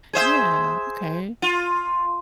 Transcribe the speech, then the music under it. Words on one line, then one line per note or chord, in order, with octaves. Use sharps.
Yeah, okay,
G#4 C5 E5
F4